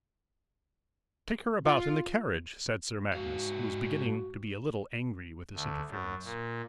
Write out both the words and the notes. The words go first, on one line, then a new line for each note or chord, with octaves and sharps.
"Take her about in the carriage," said Sir Magnus, who was beginning to be a little angry with this interference.
F4
G#2 F#4 F5
D2
F#2
A#2